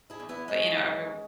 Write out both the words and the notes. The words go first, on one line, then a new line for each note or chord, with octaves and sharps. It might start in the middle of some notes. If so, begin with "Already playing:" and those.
but, you know, every
E4 G#4
E2
B3 E4
F#2 G#3 C#4
F#2